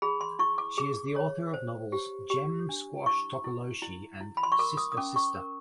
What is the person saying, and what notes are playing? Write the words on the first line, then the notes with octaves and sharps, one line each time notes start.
She is the author of the novels "Gem Squash Tokoloshe" and "Sister-Sister".
G#4 B5
C6
E4 C#6
D6
G#4 D6
C#5
C5
G4
G4
D4
E4 C#6
E4
E4
E4
B5
C6
C#6
A#4 D6
D#6
D#6
C#4 D6
C#6
A#4